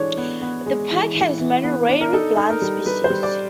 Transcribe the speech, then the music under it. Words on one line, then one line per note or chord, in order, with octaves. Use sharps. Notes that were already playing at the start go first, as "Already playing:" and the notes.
The park has many rare plant species.
Already playing: E3 G#3 D4 A4 C#5
B3
B3
G#3
E3
E3
E3
B3
D4
A#4
D#4 A4
D#4
A#4
G3
G3 B4
C5
G3
D5